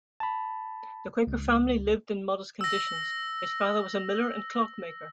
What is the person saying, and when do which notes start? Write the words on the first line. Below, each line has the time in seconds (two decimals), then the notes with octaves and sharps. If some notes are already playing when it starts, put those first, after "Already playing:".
The Quaker family lived in modest conditions; his father was a miller and clockmaker.
0.20 A5 B5
1.27 C#2
2.61 E6 A#6